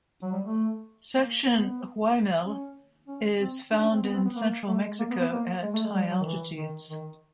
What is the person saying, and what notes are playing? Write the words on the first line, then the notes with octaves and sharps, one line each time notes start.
Section "Oiamel" is found in central Mexico at high altitudes.
F#3
G3
A3
A#3
B3
C#4
C#4
C4
D4
C#4
C4
B3
C4
B3
A#3
A3
G#3
A#3
B3
B3
A#3
G#3
A3
G#3
G3
F#3
D#3
E3
D#3
D#3